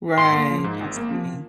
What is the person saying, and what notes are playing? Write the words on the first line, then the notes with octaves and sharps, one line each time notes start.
Right, I see.
G#1 C6
A#3
F3
G#2
G#1
A#3
F3